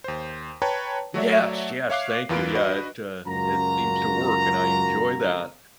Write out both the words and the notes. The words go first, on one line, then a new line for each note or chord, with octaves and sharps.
Yes, yes, thank you. Yeah, it, uh, it seems to work and I enjoy that,
D#2 C5
B4 C#5 G5 A5 A#5
F#3 A3 F#4 C#5 D5 E5
C#5 E5 F5 D6 F#6 C7
E2 E3 F4 A#4 B4 D7
D4 F#4 B4 D#5
C#2 F#2 F4 F#4 A#4 A#5